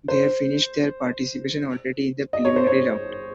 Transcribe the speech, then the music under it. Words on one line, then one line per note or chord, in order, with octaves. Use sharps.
They have finished their participation already in the preliminary round.
C5
D#5
C#5
C5
C#5